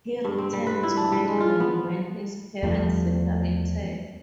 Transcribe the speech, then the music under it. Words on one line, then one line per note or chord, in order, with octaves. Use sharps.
He returned to England when his parents separated.
G2
C4
G3
B4
E4
D4
G3
G#3
F4
B3
E2 F3 G3 A3